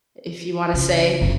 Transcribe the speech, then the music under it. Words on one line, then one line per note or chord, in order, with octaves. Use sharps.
if you want to say.
C#3
F#1 D3